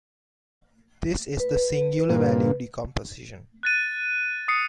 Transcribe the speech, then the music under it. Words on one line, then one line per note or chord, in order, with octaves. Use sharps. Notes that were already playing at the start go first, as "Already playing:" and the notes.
This is the singular value decomposition.
B4
G2 A#2 A#3
F#6 A6 D#7
D#6 C7 C#7